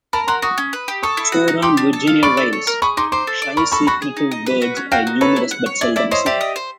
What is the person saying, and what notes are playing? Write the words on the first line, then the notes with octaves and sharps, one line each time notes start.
Sora and Virginia rails - shy, secretive birds - are numerous but seldom seen.
A#4 A5 B5
F#4 A#5 C6
F#4 C#6 D#6
C#4
B4
G4
A4 C#6 D#6
E4
F#4
D#4
G4 C6 D6
D4
A4
F4
D5 B5 C#6
A4
C#5
A#4
G#4 B5 C#6
D#4 C6 D6
C5 C6 D6
A4
D5
A#4 B5 C#6
A4 B5 C#6
F#4 B5 C#6
G#4
D#4
D#5
B4
F#4
C#4
F#4 F5 G5
D#4
A4 B4 C#5
E4
F#5
C#5
G#4 D5 E5
E4 D5 E5
C5 C#5 D#5
G4 D5 E5
D#5
C5